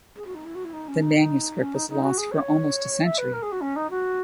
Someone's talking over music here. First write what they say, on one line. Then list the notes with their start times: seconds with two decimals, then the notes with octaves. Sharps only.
The manuscript was lost for almost a century.
0.15 G#4
0.25 F#4
0.34 D#4
0.44 E4
0.54 F#4
0.64 E4
0.73 D#4
0.87 C#4
1.02 D#4
1.16 D#4
1.60 C#4
1.74 D#4
1.89 D#4
2.03 F#4
2.17 G#4
2.31 C#5
3.03 E5
3.17 B4
3.33 A#4
3.42 G#4
3.51 F#4
3.61 C#4
3.75 D#4
3.90 F#4